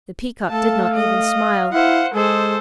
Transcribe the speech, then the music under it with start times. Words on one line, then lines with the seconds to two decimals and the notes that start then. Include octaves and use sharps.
The Peacock did not even smile.
0.49 A3 A4 F5 A5
0.94 D#5
1.73 E4 C5 F5 F#5
2.14 G#3 G#4 A4 C5